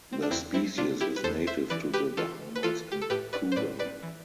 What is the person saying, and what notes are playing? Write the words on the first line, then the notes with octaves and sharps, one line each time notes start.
The species is native to the Bahamas and Cuba.
C4
D4
E2 C4 E4
C4 E4
C3 D4 F4
E4 G4
B4
E2 A4 C5
C5 E5
E3 B4 D5
G4 B4
E3 F4 A4
B4
E3 F4 A4
G4
A4
A2 G4 B4
B4 D5
C5
A2 B4 D5
B4 D5
E3